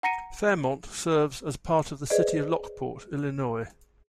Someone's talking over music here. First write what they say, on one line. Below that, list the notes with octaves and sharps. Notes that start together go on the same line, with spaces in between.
Fairmont serves as part of the City of Lockport, Illinois.
F#5 A#5 A#6 C#7 D#7
G#4 B4 C5 D5 D#5